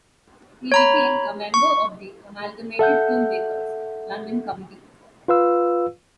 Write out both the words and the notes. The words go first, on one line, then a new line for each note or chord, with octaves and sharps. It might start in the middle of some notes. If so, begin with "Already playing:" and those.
He became a member of the Amalgamated Toolmakers' London committee.
C#5 A#5 B5
C#6
A4 E5 F#5 G6
F4 B4 F5 E6